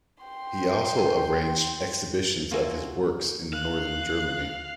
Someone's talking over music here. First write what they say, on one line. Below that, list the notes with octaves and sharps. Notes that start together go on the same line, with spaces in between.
He also arranged exhibitions of his works in northern Germany.
G5 C6
A#3 F4 F#4 E5 G#5
F5 F#6